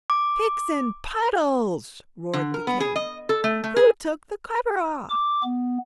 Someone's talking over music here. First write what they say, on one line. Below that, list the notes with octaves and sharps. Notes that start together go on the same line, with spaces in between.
"Picks and puddles!" roared the King; "who took the cover off?"
D6
D3
A#4
B3
G#4
D#5
A4
A3
A3
G#4
D6
B3